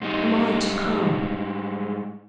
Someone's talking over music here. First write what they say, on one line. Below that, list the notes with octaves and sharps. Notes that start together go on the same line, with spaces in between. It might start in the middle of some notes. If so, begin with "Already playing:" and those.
"Am I to come?"
G#2 G3 D#4